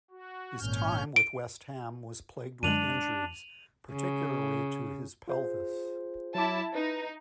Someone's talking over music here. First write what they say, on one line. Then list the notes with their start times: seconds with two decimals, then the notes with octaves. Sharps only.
His time with West Ham was plagued with injuries, particularly to his pelvis.
0.10 F#4
0.59 G#1 A#2 C#4 F6 G6
1.16 D7
2.63 F#2 D3 G#3 D4 D#7 F7 F#7
3.92 C#3
5.28 F4 G#4 C5
6.35 F#3 E4 A5 D6
6.75 D#4 B4